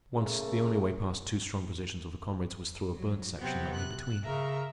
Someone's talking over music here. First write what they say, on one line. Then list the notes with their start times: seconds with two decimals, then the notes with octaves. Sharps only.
Once, the only way past two strong positions of the comrades was through a burnt section that lay between.
0.13 C#3 A3 A#3 G#4 A#4
2.95 F#3
3.38 C3 F#3 B3 C4
3.75 F#6
4.23 C#3 A#4 E5 A#5